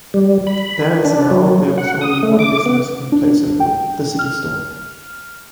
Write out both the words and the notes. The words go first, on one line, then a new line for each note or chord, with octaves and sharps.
Then as now there was only one business in Placerville, the city store.
G3
B5
D4
F#3
F#5
D#6
A3
D6
B3
D4
G5
F6